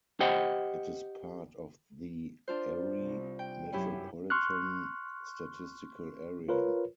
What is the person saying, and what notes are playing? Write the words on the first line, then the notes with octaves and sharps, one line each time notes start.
It is part of the Erie Metropolitan Statistical Area.
G4 C5 D#5 F#5 G5
D4 F4 C5
C2
G5
F#2 C#4 E4 G4
C6 C#6 F6 F#6
F4 A#4 B4 C#5